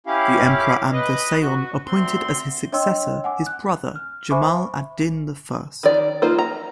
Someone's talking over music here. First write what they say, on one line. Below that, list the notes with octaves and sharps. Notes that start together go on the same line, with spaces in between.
The Emperor Amda Seyon appointed as his successor his brother, Jamal ad-Din the First.
C#4 E4 G4 F5
B4 D#5
F#4
D2 C4 C6
D4 C#5 D#5 G5 C6 E6
F#5 G#5 D6
F#6
F6
C5 E5 G#5 B5 C#6 D6
D#3 D5
A#3 D#4 F4 C5
A#5